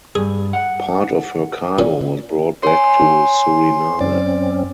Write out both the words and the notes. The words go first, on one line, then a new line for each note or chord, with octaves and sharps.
Part of her cargo was brought back to Suriname.
G2 G#4
F#5
A#2 C#4
C#5 G#5 C6
F#2 C4 C#4 D5